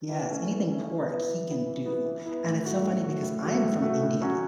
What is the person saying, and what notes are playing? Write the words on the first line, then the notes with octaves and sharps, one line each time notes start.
Yes, anything pork he can do, and it's so funny because I'm from India I
E3
A3 C#4
E3
A3 C#4
E3
B3 E4
E3
B3 E4
E3
B3 E4
E3
B3 E4
A2
A3 F#4
A2
A3 F#4
A2
A3 F#4
A2
A3 F#4
A2
F#3 C#4 F#4